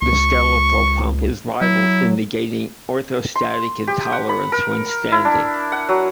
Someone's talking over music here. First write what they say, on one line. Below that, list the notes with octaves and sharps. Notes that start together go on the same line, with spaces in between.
The skeletal pump is vital in negating orthostatic intolerance when standing.
C#2 C#6
F#3 E4
C6
G4
F#5
B5
A#4
E4
D4
F#5
F#3